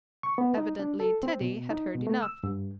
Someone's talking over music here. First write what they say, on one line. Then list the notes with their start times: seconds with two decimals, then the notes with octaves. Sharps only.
Evidently Teddy had heard enough.
0.23 C#6
0.38 B3
0.57 D#4
0.79 D4
1.00 A4
1.23 C4
1.41 B2
1.70 D#4
1.95 B2
2.07 A3
2.22 E6
2.44 G2